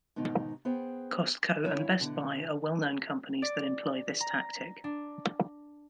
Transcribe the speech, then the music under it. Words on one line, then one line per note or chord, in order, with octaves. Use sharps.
Costco and Best Buy are well-known companies that employ this tactic.
G#2 B2 D#3 D#4
B3 G#4 C5 G5
G#2 E4 A#4 C#5 F5
B2 D3 F#5
D5
A#5
D4